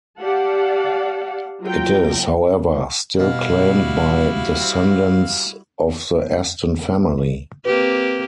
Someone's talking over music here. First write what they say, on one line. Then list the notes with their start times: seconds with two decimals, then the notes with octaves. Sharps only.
It is, however, still claimed by descendants of the Aston family.
0.20 G4 D5 F5 F#5 A5
1.62 F#3 F4 G5 A#5
3.19 B2 G3 E4 F#4 F5
4.60 C4
7.65 A#3 C4 G4 B4